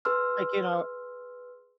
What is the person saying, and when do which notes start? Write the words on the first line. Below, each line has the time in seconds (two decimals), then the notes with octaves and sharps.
like, you know
0.05 G#4 B4 C6 E6 F6